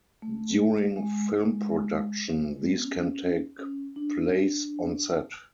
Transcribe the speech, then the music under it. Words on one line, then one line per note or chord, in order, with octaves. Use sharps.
During film production, these can take place "on set".
A3
G#3
G#3
G#3
B3
C#4
C#4
D4